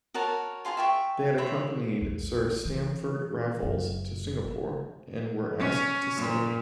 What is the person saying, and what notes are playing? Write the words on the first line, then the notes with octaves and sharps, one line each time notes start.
They had accompanied Sir Stamford Raffles to Singapore and were asked to stay.
F#4 A#4 C#5 A5
F4 G#4 F5 C6
E5 G5 C#6
C5 C#5 E5 B5
A#1 E2
E3
F#1
C#4
A#2